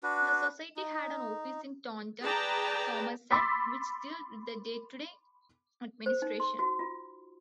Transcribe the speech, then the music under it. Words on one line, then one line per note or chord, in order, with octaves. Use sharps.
The Society had an office in Taunton, Somerset, which dealt with day-to-day administration.
D4 F#4 B4
D#4
G#4 B4 D5 G5 A5 A#5
B5 C6 D6 E6 A6 B6
C5
D#4
C6
F#4
F4